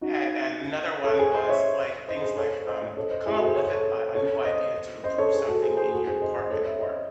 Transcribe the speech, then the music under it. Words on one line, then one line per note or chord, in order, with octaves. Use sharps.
and and another one was, like, things like, um, "Come up with a a new idea to improve something in your department at work."
D#4 F#4
A4 C#5
G#4 C5
C5 D#5
C#5 E5
C5 D#5
G#4 C5
A4 C#5
C5 D#5
C5 D#5
A4 C#5
C5 D#5
E4 G#4
F#4 A4
G#4 C5
C#5
C5
A4 C#5
A4 C#5
C5 D#5
C5 D#5
A4 C#5
G#4 C5
F#4 A4
G#4 C5
G#4 C5
F#4 A4
G#4 C5
C5 D#5
C5 D#5
A4 C#5
C#5 E5
C5 D#5